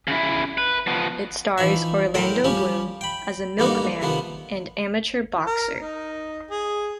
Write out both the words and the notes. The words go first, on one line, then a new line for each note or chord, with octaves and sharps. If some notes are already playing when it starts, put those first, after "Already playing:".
It stars Orlando Bloom as a milkman and amateur boxer.
C#3 E4
B4
F3 B3
E3 F3 D#4 E5
A2 F#3 A#4 C5 G5 D#6
F3 G3 C#4 G4
G5 B5
G2 D3 G3 A#3 D#4 F#4
C3 D#3 F3 B3
A#4
D#4
G#4